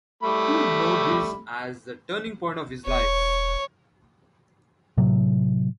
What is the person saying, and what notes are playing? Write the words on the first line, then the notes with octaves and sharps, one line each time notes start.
He would note this as the turning point of his life.
G3 A3 B5
E1 C#5
A2 C3 F#3